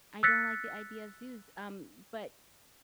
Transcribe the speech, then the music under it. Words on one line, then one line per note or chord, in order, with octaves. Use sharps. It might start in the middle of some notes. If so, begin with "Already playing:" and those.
I don't like the idea zoos, um, but
E6 F#6 A6 B6 C#7